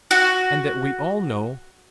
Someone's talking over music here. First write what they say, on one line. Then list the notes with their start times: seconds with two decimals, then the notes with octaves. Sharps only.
And that we all know.
0.11 F#4